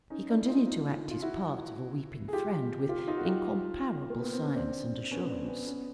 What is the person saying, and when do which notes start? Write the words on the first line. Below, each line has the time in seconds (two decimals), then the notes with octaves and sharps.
He continued to act his part of a weeping friend with incomparable science and assurance.
0.10 C#4 D#4
0.29 D4 E4
0.48 D#4 F4
0.66 D#4 F4
1.11 F4
1.22 E4 F#4
2.28 G#4
2.33 F4 G4
2.89 F4 G4
3.08 D#4 F4
3.17 F#4
3.26 F4 G4
4.10 A#3
4.21 B3
4.33 C4
4.44 C#4
4.56 C4 D4
5.11 B3 C#4
5.30 C4 D4
5.48 B3 C#4
5.67 B3 C#4